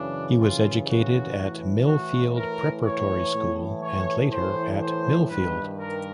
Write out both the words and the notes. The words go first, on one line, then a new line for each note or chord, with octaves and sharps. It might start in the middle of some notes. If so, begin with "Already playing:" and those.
He was educated at Millfield Preparatory School and later at Millfield.
Already playing: F#2 C#3 E3 D4
F4
F#4
A2 E3
F#4
A#4
C#5
A2 E3
C#5
C5
C5
G2 D#3 B4
A#4